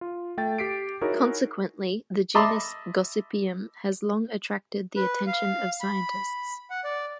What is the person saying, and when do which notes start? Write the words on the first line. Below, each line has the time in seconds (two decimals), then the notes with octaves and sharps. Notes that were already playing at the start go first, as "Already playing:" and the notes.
Consequently, the genus "Gossypium" has long attracted the attention of scientists.
0.01 F4
0.38 A3 G5 A6
0.58 G4 B6 C7 D7
1.01 D#4 E4 F#4 G#4 A#4 C#5
2.35 D#5 E5 A5 B5 C6 D6
4.96 B4
5.27 F5
5.81 B5
6.70 F#5
6.84 D5